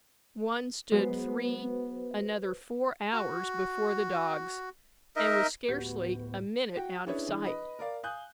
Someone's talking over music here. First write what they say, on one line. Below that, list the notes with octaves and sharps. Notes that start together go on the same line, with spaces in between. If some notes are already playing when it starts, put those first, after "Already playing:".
One stood three, another four hours before the dogs, and was scarcely a minute out of sight.
F#3 G#3 B3 F#4 B4 C5
F#4
D#4 A#4 D#5 E5
D1 A2 B3 F#4 G4 G6
F#4 G5
C#4 D4 E4 G#4 B4 C#5
E3 D4 G#4
B4 D#5 B5
A#4 D5 F5
F5 G#5 D#6 F#6 G6